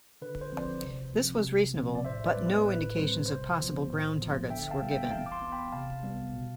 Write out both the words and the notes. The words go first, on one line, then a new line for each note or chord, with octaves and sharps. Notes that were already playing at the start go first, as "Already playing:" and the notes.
This was reasonable, but no indications of possible ground targets were given.
D3 B4
C5
F3 C4 D5
C5
C3
F3 C4
C3
F3 C4
D5
A2 C5 E5
B4 D5
G3 B3
B4
A2 B4
G3 C4 C5
C3 C5
F3 B3
A2
F3 B3
D3 E5 G5
F5 A5
G3 B3
E5 G5
G5
E3 F5 A5
D6
A5 C6
B3
G5 B5
C3 F5 A5
G3 B3
B2